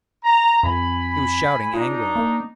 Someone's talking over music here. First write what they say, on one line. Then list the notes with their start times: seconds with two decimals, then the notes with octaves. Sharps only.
He was shouting angrily.
0.24 A#5
0.63 F2 G#5 B5
1.73 D4 D#4 F4
2.16 A#3